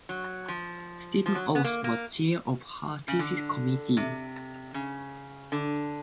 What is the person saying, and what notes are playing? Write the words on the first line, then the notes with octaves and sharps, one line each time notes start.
Steven Aust was chair of her thesis committee.
F#3
F3
F3
F#3
B3
A#3
A#3
C#3
D3
C3
C#3
D3